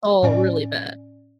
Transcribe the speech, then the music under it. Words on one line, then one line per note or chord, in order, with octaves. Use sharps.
all really bad.
A2 C#4 D5